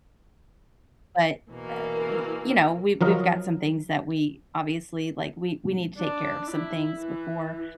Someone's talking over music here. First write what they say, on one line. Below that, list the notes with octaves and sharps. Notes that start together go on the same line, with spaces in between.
but, uh, u uh, you know, we we've got some things that we obviously like, we we need to take care of some things before,
B2 E3 A#3 A#4
F3 F#3 A#4 D#5
D4
E4
E3